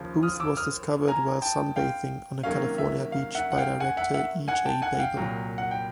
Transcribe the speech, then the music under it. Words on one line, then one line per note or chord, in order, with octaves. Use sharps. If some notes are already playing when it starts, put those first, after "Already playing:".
Booth was discovered while sunbathing on a California beach by director E. J. Babille.
Already playing: D#2 C#3 F3
D#6 F6
D6 E6
D#6 F6
G#5 A#5
G5 A5
F5 G5
C3 D#3 F#3 A#3 C#4 F5
E5
F5
E5 F#5
F#5
F5 G5
F#5 G#5
E5 F#5
E5 F#5
F#5 G#5
G5 A5
F#5 G#5
F#5
F5 G5
C2 A#2 F#3
F#5
G5